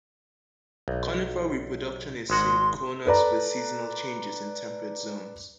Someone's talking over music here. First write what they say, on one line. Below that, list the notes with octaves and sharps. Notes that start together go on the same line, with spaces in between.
Conifer reproduction is synchronous with seasonal changes in temperate zones.
B1
G#1 G#3 F#4 C6
A4 B4 D5 A#5